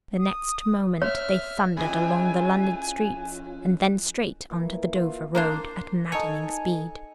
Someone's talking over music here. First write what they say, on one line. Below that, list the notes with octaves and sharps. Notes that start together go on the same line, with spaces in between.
The next moment they thundered along the London streets, and then straight on to the Dover road at maddening speed.
D#6
C#5 E5 F6
F2 C#4 E4 F4 G#4 G#5
A#2 E3
F4
A#3 D4 C5
D#4 A4 C#5 G#5